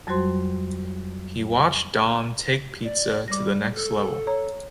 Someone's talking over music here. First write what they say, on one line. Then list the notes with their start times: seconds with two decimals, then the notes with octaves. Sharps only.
He watched Dom take pizza to the next level.
0.07 F2 F#3 G3 F#4 C5 C6
2.83 D5
3.28 G3 D6 A#6
3.74 A4
4.27 C#5 A#5